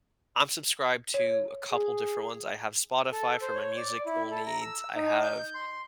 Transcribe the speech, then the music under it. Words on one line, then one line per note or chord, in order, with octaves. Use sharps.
I'm subscribed to a couple different ones. I have Spotify, for my musical needs. I have
C#5
G#4
A4
C5
C#5
D5
E4
A4
A#5
E6
D#4
G6
C6